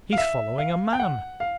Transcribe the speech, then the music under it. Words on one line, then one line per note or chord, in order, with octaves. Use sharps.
"He's following a man!"
F5
E5
F5
G5
F#5
F5